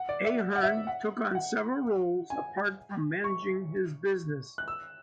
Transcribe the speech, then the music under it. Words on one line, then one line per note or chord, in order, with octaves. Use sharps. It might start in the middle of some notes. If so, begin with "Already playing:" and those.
Ahern took on several roles apart from managing his business.
Already playing: F#5
D5
E5
F#5
E5
F#5
F#5
G#5
C#6
F#6
E6